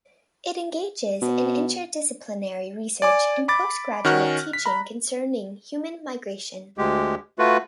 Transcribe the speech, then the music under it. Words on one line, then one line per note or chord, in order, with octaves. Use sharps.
It engages in interdisciplinary research and postgraduate teaching concerning human migration.
B2
D5 G#5 D6
B5 D6 A6
D#3 C#4 F#4 F6 F#6
B6
A#5 B5
D2 G#3 G4
A3 F4 F#4 B4